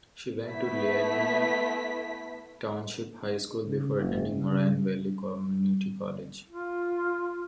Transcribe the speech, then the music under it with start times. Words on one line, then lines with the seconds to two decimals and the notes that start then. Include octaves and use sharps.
He went to Leyden Township High School before attending Moraine Valley Community College.
0.47 A3 B3 E4 B6
3.67 C#3
3.99 F#1
4.31 C#3
6.50 F4